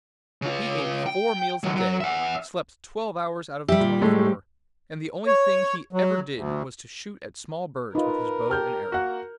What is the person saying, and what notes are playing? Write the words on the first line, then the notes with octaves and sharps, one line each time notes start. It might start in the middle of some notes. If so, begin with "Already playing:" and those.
He ate four meals a day, slept twelve hours out of the twenty-four, and the only thing he ever did was to shoot at small birds with his bow and arrow.
C#3 F4
G5
D#3 F#3
F#3
E5 F#5
G3 G4 E5
A#2
A2 G#3 A3
C#5
F#3
D2
D#4 F4 A#4 B4
G4 A5 F6 G6
A#3 F#4 F#5